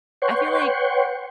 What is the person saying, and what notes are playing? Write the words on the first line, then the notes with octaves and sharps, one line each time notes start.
I feel like
B4 C#5 F#5 G5 C6 C#6